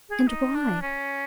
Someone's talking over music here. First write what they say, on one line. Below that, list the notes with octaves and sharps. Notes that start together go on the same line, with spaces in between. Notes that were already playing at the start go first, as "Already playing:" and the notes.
And why?
G#4
D#4
D4
C#4